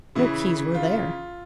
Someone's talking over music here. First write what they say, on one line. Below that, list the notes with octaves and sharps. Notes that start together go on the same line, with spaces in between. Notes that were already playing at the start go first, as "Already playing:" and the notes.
No keys were there.
C#3 E3 E4
F4